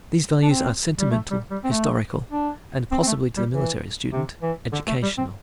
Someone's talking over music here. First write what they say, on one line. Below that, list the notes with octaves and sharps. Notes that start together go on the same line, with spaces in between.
These values are sentimental, historical, and possibly to the military student, educational.
D4
C4
G3
A3
G3
G3
C4
A3
D4
C4
C4
A3
G3
E3
C3
E3
D3
A3
G3
C4